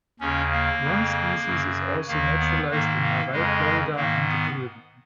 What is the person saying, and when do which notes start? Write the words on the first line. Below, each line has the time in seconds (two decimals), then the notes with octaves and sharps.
One species is also naturalized in Hawaii, Florida, and the Caribbean.
0.20 D#2 C#3 C#4
0.52 A#3
0.83 F2 C#3
1.46 F#2 C#3
2.08 D#2 D#3 A#3
2.39 B3
2.71 G#2 D#3 A#3
3.02 A#3
3.33 F2 C#3 G#3
3.96 G#2 D#3 A#3
4.28 B3